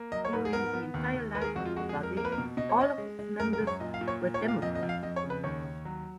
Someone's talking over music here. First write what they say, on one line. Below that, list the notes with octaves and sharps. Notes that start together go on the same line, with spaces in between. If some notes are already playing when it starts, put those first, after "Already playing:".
During the entire life of the body, all of its members were Democrats.
Already playing: A#3
F#3 D#5
C#5
G#2 B4
G#4
B3 A#4
B3
D#2
D#2
G#3 B4
A#4
G#4
F2 F#4
F4
G#3 F#4
G#4
F2
A#4
A#3 A#4
B4
A#4
B2
B2 D#5
C#5
C#4 D#5
G#3
G#3
F#2 A#4
A#4
F#2
C#5
A#2 D#5
F5
A#2
C#5
A#2
C#5
A#2
F5
F2 D#5
D#5
F2
F5
F2 D#5
C#5
C#3
B4
D#2 C#5
D#2
F#3